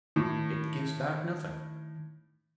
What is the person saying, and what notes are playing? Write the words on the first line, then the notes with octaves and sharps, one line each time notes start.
It gives back nothing.
A2 D#3